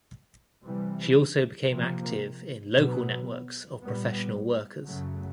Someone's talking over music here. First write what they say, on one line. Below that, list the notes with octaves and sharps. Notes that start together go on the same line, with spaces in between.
She also became active in local networks of professional workers.
C3 E3 G3
C3 F3 A#3
B2 F#3 B3
A#2 G3 B3
F#2 C#3 F#3 A3